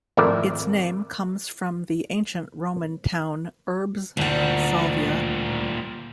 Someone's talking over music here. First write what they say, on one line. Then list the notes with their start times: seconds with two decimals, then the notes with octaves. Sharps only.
Its name comes from the ancient Roman town Urbs Salvia.
0.17 G#1 F2 A3 E4 A#4 D5
4.17 D2 A#2 G3 F#5